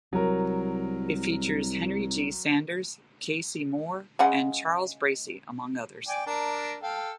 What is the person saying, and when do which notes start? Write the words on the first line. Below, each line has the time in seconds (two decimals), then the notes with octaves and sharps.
It features Henry G. Sanders, Kaycee Moore, and Charles Bracy, among others.
0.13 C2 F#3 A#4
4.19 C#3 G#3 F#5
6.08 D5 G5 G#5
6.27 D4 A#4
6.83 A4 F5 G5